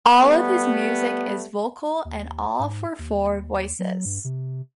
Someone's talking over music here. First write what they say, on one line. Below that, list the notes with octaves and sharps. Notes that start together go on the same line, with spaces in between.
All of his music is vocal, and all for four voices.
G3 A3 B3
D#2
G#2
D#2
F#3
G2
C3